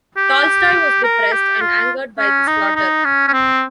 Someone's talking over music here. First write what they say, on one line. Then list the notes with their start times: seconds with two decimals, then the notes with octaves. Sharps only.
Tolstoy was depressed and angered by the slaughter.
0.17 G4
1.04 A#4
1.32 G4
1.61 F4
2.18 C#4
2.47 D#4
2.76 D#4
3.05 C#4
3.28 C#4
3.33 C4